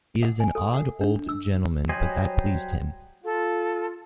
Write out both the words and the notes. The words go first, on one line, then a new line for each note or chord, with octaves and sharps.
He is an odd old gentleman, but that pleased him.
F#5
G#5
A4
F#5
D4
E6
F#3 G3 C5 D#5 G#5
F4 A4